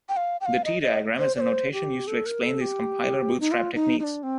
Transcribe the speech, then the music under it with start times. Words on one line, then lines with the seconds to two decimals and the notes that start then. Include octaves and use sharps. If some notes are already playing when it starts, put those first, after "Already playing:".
The T-diagram is a notation used to explain these compiler bootstrap techniques.
0.09 G5
0.17 F5
0.41 G5
0.46 F5
0.65 D#5
0.82 D#5
1.18 C5
1.36 D5
1.41 C5
1.73 G4
2.07 A4
2.26 A#4
2.43 A4
2.61 G4
3.40 D#4
3.52 F4
3.75 D#4
4.00 D#4
4.04 D4
4.23 C4